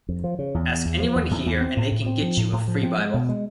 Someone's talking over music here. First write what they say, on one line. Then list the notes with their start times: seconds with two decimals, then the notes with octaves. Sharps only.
Ask anyone here and they can get you a free bible.
0.09 F2
0.24 F3
0.39 C#3
0.54 E2
0.69 E2
0.85 E2
1.00 F3
1.15 E2
1.31 E2
1.46 E2
1.61 C4
1.77 A2
1.91 A2
2.06 C4
2.22 F3
2.37 A2
2.52 A2
2.68 F3
2.83 C4
2.98 G#3
3.14 B2
3.29 G#3